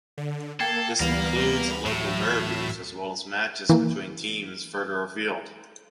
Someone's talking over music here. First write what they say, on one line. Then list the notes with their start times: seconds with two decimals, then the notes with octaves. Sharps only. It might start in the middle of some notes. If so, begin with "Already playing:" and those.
This includes local derbies as well as matches between teams further afield.
0.18 D3
0.60 A#3 A4 G5 G#6 C7
1.00 D2 E3 G3 B3 A#4 F5 B5
1.86 A2 F#3 E5
3.69 E3 A#3